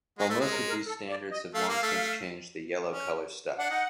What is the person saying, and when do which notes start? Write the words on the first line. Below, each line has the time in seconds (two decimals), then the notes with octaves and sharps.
While most of those standards have long since changed, the yellow color stuck.
0.18 G#3 F#4
0.30 A3
0.35 E4
0.40 G#3
0.52 A#4
0.69 A#4
0.87 A4
1.09 D5
1.32 D#5
1.54 A3 F5
1.69 A#3
1.83 A3
2.90 C#4
3.58 D4 F#5
3.70 D#4